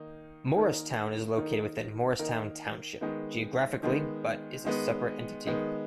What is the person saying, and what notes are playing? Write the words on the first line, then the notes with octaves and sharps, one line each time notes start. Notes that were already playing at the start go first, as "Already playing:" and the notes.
Morristown is located within Morristown Township geographically but is a separate entity.
Already playing: D#3 A#3 D#4
D#3 A#3 D#4 A#4
D#3 A#3 D#4 A#4
D#3 A#3 D#4 A#4
D#3 G#3 B3
D#3 G#3 B3
D#3 G#3 B3
D#3 G#3 B3